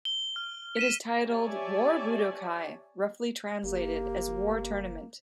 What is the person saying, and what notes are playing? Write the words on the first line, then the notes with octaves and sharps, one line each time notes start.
It is titled War Budokai, roughly translated as "War Tournament".
G7
F6
B6 D#7 E7
G4 C#5 D5 E5 G#5 A5
F#1 A#3 G4